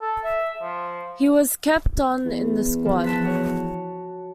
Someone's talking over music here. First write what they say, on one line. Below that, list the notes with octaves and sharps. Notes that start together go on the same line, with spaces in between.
He was kept on in the squad.
A4
E5
F3
E2
F3
A5 F#6 B6
F#4 C#5